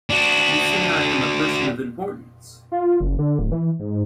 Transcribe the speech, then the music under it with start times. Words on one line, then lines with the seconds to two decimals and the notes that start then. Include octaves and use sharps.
You say I am a person of importance.
0.10 D4 F#4
2.72 F4
3.00 F#1
3.19 D3
3.39 D1
3.52 E3
3.80 G#2